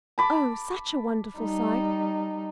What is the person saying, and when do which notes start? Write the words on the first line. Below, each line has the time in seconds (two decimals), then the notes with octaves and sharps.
Oh, such a wonderful sight!
0.18 A5 B5 D6
1.39 G3 D#4